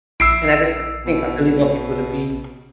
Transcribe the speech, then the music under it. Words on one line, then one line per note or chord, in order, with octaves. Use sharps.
and I just th think I really want people to be
A#1 E4 E6 C7 D7
B2